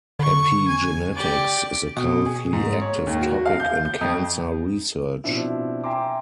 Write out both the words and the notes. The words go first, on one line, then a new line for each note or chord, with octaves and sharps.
Epigenetics is a currently active topic in cancer research.
D3 C#6
G#5
G4 D5
B2
G#4
G#2
C#5
D#2
F#4
F5
G6
G6
F2
B2 F3 C4 D4 E4
E5 G5 G#5 A#5 C6 D6